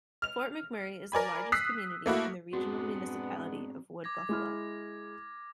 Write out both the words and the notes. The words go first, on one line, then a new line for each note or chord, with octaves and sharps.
Fort McMurray is the largest community in the Regional Municipality of Wood Buffalo.
F6 F7
A#4 D5 G#5 B5
D#6 E6 F#6 B6 C7
A3 A#3 E4 F#4
G#3 B3 C4 D4 F#4 G#4 D5
D6 G#6 A#6
G#3 E4 F6